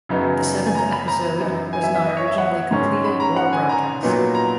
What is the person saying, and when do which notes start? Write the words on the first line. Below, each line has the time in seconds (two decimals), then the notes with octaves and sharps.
The seventh episode was not originally completed or broadcast.
0.09 F#2 C#3 F#3 B3 D#4
0.67 G#5
0.75 A#5
0.92 B5
1.08 A#5
1.40 F#2 E3 B3 D#4
1.73 G#5
1.83 E5
1.95 E5
2.06 D#5
2.17 C#5
2.28 E5
2.38 F#5
2.71 G#2 D#3 G#3 C#4
3.04 B5
3.20 A#5
3.36 F#5
3.53 G#5
3.69 A#5
4.03 A#2 F#3 B3 D#4
4.35 A#5